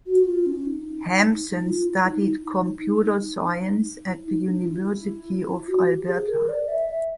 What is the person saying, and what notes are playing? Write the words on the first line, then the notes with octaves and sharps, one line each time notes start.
Hampson studied computer science at the University of Alberta.
F#4
F#4
F4
C#4
D#4
F4
E4
D#4
E4
D#4
E4
D#4
D4
F4
E4
F#4
G4
G#4
A#4
D5
E5
E5